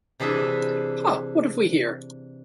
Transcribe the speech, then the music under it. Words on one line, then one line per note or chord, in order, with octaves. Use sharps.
Ha, what have we here!
C3 E3 D4 G#4 E5